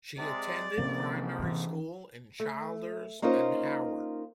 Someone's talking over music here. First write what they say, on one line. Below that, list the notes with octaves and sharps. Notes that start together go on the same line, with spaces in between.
She attended primary school in Childers and Howard.
C3 G#3 D5
A1 G#2 C3 F3 A#3 C#4
E3 C#4
A3
A#3 C#4 D#4 F4 A#4 C5